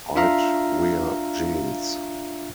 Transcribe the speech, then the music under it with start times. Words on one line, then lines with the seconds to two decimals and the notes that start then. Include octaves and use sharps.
I'd wear jeans.
0.16 D4 F4 E5 F5 A#5